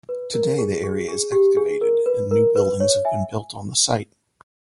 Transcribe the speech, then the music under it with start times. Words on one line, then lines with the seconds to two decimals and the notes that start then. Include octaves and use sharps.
Today, the area is excavated and new buildings have been built on the site.
0.09 B4
0.34 A#4
0.59 G#4
0.84 G#4
1.08 G#4
1.32 G4
1.57 G#4
1.81 A#4
2.06 B4
2.31 A#4
2.56 B4
2.80 C#5
3.05 E5 G#5